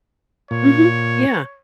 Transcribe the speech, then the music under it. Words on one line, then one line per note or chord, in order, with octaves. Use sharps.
Mhm. Yeah.
A#2 C#5